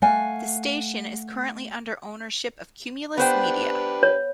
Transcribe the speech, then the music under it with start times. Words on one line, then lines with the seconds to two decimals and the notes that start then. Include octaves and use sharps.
This station is currently under ownership of Cumulus Media.
0.02 A3 F5 F#5 G#5
3.18 B3 D4 G4 B4 C5 G5
4.03 C#5